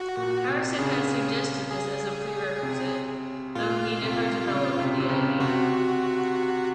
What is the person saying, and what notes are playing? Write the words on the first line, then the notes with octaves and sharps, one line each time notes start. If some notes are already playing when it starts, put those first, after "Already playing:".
Harrison had suggested this as a prerequisite, though he never developed the idea.
Already playing: F#4
A#2
C3
C#3 G#4
G#4
C3
A#2 F4
C3
C#3
C3
C3
C#3
C3 F#4